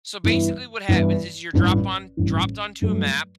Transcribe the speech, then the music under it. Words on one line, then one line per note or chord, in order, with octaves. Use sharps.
So basically what happens is you're drop on dropped onto a map
G2 E3 B3 E4
G2 E3 B3 E4
A1 G2 E3
A1 G2 E3
G2 F#3 A3